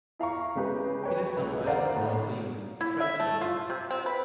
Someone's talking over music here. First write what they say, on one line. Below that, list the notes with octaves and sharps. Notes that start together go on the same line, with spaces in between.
He lives on Oasis Al-Fayoum, your friend told me.
E4 F5 A#5 C#6
C#3 G#3 G4 B4
B4 C#5 G5
C#2
A#4 C5 D5 F5 F#5 A#5
A2 D#4
E4
E5
A3
F4
C3
C4
B4